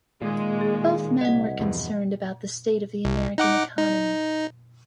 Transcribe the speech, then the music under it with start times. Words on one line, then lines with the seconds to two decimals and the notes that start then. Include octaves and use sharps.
Both men were concerned about the state of the American economy.
0.22 A#2 D#3 G#3 A#3
0.61 G#4
1.21 C2 D#5 F#5
1.60 E2 G2 B2 F3
3.05 C2
3.38 D#4 F#5 D6
3.78 D#4